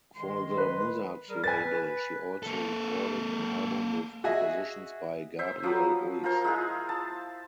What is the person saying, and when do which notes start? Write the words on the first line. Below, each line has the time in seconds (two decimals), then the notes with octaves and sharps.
For the Musart label she also recorded an album with compositions by Gabriel Ruiz.
0.15 D#3 G#3 C6
0.58 B4
1.28 G3 G#4 A#4
1.44 B4 G#5 A6
2.43 A#3 A4
4.24 F#4 G#4 D#5 E5 G#5
5.39 C5 E5
5.63 F3 F#3 B4
6.24 F4 A#4 C5 F5
6.44 G#3 E4 F4 G#4
6.89 A5